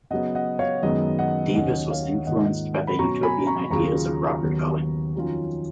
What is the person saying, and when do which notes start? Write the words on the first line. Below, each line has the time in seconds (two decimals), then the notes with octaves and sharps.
Davis was influenced by the utopian ideas of Robert Owen.
0.11 C#3 F#3 B3 D#5 F#5
0.35 D#5 F#5
0.59 C#5 F5
0.83 F#2 D#3 G#3 B3 D#5
1.19 D#5 F#5
1.55 D#2 D#3 F#3 C#4 D#5 F#5
1.90 C#5 F5
2.27 G#2 D#3 A#3 F4 D#5 F#5
2.87 B5
2.99 B2 F#3 C#4 A#5 C#6
3.23 G#5 B5
3.47 A#5 C#6
3.70 D#2 C#3 F#3 A#3 F4 A#5 C#6
4.43 D#2 D#3 F#3 B3
5.15 F2 D#3 F#3 C#4 F4